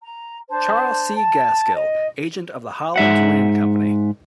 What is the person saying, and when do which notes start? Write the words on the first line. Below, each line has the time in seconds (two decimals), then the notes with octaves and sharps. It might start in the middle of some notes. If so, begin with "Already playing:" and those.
Charles C. Gaskill, agent of the Holland Land Company.
0.03 A#5
0.49 D4 C5 A5
1.16 A5
1.73 D#5
2.96 G#2 E5 F#5